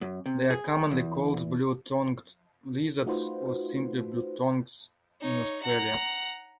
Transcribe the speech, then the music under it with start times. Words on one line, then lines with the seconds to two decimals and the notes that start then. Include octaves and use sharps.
They are commonly called blue-tongued lizards or simply blue-tongues in Australia.
0.01 F#2
0.26 C3
0.50 G#4
0.91 E2
3.06 A3 D#4 F4 F#4 B4 C5
5.21 D#4 C#5
5.63 F#5 A#5